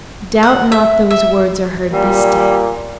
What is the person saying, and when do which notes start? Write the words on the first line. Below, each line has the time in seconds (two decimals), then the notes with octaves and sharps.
Doubt not those words are heard this day.
0.43 F#5
0.72 E5
1.11 E5
1.93 A#2 G3